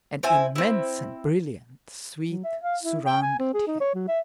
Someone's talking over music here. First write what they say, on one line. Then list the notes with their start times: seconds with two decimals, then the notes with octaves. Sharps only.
An immense and brilliant suite surrounded him.
0.23 C4 E4 G#5
0.56 C4 E4
2.30 F#3
2.44 E5
2.63 F5
2.83 E4
3.06 G5
3.22 G#5
3.39 C4
3.54 G#4
3.67 D#4
3.81 C#5
3.95 F#3
4.08 E5